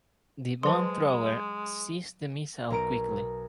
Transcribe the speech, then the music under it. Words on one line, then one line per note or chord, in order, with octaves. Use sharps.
The bomb-thrower seized the missile quickly.
F#3 G#3 B4 C5 A5 C6
B1 A#4 A#5 D7 D#7